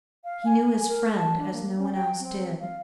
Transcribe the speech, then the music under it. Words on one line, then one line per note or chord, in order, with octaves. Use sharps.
He knew his friend as no one else did.
F5
G#5
A#4
A5
D4
A#3
C#4
G5
C4
F5